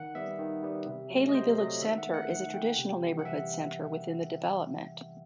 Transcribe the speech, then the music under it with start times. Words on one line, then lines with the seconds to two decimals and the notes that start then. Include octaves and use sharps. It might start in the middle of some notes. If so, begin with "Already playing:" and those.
Haile Village Center is a traditional neighborhood center within the development.
Already playing: D#3 F#5
0.15 G3 B3 E5
0.39 D#3
0.63 G3 B3
0.87 C3
1.10 F#3 A3
1.29 D#5
1.35 C3 C5
1.58 F#3 A3 D#5
1.82 D#3 E5
1.98 F#5
2.06 A3
2.14 F#5
2.30 D#3 F#5
2.54 A3 G5
2.78 C3
3.01 E3 G3 B3
3.19 F#5
3.25 C3 E5